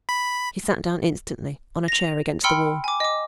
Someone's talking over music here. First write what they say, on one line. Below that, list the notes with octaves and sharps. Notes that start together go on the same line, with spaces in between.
He sat down instantly, on a chair against the wall.
B5
A#6 F7
G5 B5 C6 E6 F6 C#7
G#5 D6
D#5 D6